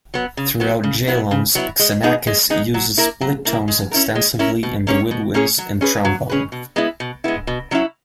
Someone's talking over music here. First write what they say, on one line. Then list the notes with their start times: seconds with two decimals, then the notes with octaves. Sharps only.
Throughout "Jalons", Xenakis uses split tones extensively in the woodwinds and trombone.
0.14 F#3 B3
0.37 C#3
0.60 F#3 B3
0.84 C#3
1.07 F#3 B3 E4
1.31 C#3
1.55 F#3 B3 E4
1.79 G#3
2.03 B3 D#4 G#4
2.27 G#3
2.50 B3 D#4 G#4
2.74 F#3
2.97 A#3 E4 A#4
3.21 F#3
3.45 A#3 E4 A#4
3.68 G#3
3.91 C#4 E4 A#4
4.15 G#3
4.39 C#4 E4 A#4
4.63 B2
4.87 A#3 C#4 G#4 C#5
5.11 B2
5.34 A#3 C#4 G#4 C#5
5.58 F#3
5.81 C#4 G#4 B4
6.05 F#3
6.29 C#4 G#4 B4
6.52 B2
6.76 G#3 B3 E4
7.00 B2
7.24 G#3 B3 E4
7.47 B2
7.71 F#3 C#4 E4